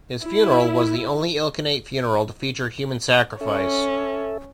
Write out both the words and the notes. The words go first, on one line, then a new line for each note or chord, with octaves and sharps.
His funeral was the only Ilkhanate funeral to feature human sacrifice.
E4
C#4 A4 E5